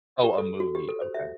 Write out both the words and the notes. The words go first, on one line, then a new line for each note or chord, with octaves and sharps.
Oh, a movie, okay.
G4
A4
F#4
G4
A4
C5
E5